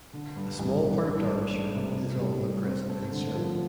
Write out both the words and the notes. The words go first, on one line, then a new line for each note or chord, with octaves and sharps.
A small part of Derbyshire is all the present concern.
D3
G2
A1
G2
D4
D4
A3
C3
C4
G3
G3
C4
A3
D3
F3